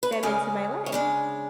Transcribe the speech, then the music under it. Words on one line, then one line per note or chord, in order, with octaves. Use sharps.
them into my life.
B4
C#5
C#3 G#3 C#4 D5
C#5
C#3 G#3 D4 D5